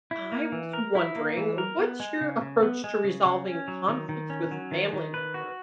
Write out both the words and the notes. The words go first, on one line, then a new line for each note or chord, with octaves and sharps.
I was wondering, what's your approach to resolving conflicts with family members?
E4
A#3
E3
A#4
E4
A#3
E3
A#4
B3
G#3
C#3
C#3
B3
G#3
C#3
C#3
C#4
F#3
D#3
D#3
C#4
F#3
D#3
D#3
B4
F#4